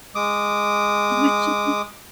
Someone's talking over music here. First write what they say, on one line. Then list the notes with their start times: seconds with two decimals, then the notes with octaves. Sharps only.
what you think
0.15 G#3 D6 D#6